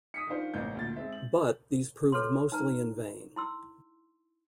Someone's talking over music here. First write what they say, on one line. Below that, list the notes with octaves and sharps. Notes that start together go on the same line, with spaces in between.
But, these proved mostly in vain.
D#6 B6 C#7
D#3 D4 F4 C5
A1 C3 A#3 C4 G6
D2 A#2 A6
G#3 C4 E5
F#7
A4 B4 C#5 C6
D#4 B4 A#5
E4 C6 E6